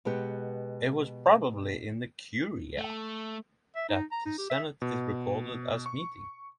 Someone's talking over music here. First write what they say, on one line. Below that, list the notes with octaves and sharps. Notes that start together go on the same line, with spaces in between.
It was probably in the curia that the senate is recorded as meeting.
B2 G#3 B3 G4
A3
E5
D#4
A#5
D#4
G4
E5
B2
C#6